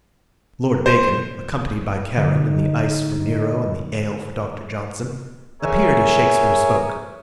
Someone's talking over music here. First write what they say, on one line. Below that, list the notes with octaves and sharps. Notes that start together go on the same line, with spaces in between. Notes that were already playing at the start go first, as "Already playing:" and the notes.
Lord Bacon, accompanied by Charon and the ice for Nero and the ale for Doctor Johnson, appeared as Shakespeare spoke.
C5
D3 D#4
G#4 A#4 C#5 E5 G#5